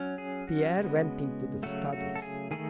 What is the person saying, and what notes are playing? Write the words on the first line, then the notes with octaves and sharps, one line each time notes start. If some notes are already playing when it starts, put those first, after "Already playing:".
Pierre went into the study.
Already playing: F#3 C#4
G#4
F#4
C#3 G#3 B3
C#3 F#3 A3 F#4
F#4
A4
G#4
D#3 A3 G#4